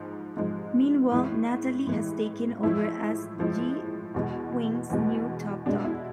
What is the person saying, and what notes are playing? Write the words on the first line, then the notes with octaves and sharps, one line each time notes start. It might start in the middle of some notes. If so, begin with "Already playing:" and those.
Meanwhile, Natalie has taken over as G-Wing's new Top Dog.
Already playing: G#2 F3 G#3
G#2 F3 G#3
A2 E3 G#3
A2 E3 G#3
A2 F3 G#3 E4
A2 F3 G#3
E2 B2 G#3
E2 B2 G#3
B2 G#3 D4
E4